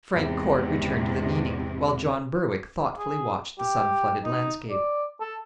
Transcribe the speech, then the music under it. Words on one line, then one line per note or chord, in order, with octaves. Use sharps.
Frank Corte returned to the kneading, while John Berwick thoughtfully watched the sun-flooded landscape.
E2 G#2 C3
G#4
G4
D#4
D5
A4